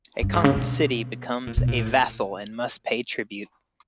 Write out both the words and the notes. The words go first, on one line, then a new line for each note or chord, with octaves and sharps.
A conquered city becomes a vassal and must pay tribute.
G2
G#2
C#3
B2
A#2
B2
A#2
A2